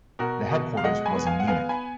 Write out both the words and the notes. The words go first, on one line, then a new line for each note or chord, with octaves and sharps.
The headquarters was in Munich.
B2 F#4 A#4
B2
F5
G#3 D#5 F#5
G#5 B5
B3
F5 G#5
F#5
B3 F5 G#5
G#5 B5